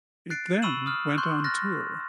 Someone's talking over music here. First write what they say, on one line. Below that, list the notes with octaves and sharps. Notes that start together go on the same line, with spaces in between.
It then went on tour.
F#6 A6 C7 D7
B5 C#6 E6 D#7 E7 F#7
D#6 F6
C6 C#6 F#6 G6
F6 F#6 A6 A#6